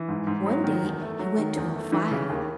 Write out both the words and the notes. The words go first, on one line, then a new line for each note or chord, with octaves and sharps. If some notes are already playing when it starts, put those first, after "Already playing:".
One day he went to a fire.
Already playing: E3
G#2
G#2
F#3
D#3
E2
A3
F#3
D#3
E2
A3
E3
C#3
D#2